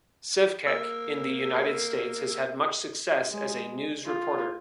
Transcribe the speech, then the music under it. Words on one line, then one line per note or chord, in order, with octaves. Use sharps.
Sevcec in the United States has had much success as a news reporter.
A#3 E6
G#3
F4